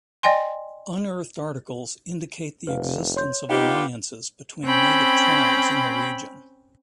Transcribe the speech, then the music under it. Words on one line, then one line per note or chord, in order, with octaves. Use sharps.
Unearthed articles indicate the existence of alliances between native tribes in the region.
D5 D#5 G5 G#5 C6
F1 B4 F5
C#5 C6 G6
B3 D#4 F4 G4 F5 G5
C4 C#4 G5 B5